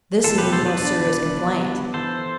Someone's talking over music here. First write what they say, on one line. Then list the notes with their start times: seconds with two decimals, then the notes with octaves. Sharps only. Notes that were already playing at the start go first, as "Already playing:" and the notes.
This is his most serious complaint.
0.24 E2 F4 A4
0.38 B2 G4 B4
0.52 A4 C5
0.62 B2 B4 D5
0.81 D4
1.00 E3
1.18 D4
1.38 B3
1.56 G3
1.75 B3
1.94 E3 A4 C5